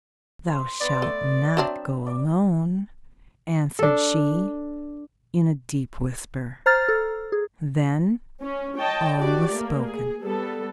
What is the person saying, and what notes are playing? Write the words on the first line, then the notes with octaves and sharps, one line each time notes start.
"Thou shall not go alone!" answered she, in a deep whisper. Then, all was spoken!
C5 B5 C6
B3 B4 D5 C6
A3
F#3 C4 D4 E5
D5 D6
D4 A4
C5 A#5 F6 A6
A4
G#4
C#4
C#5 D#5 G5 A5
D4 F#4 G4 D5
A3 A#3
G#4
G3 B3 A4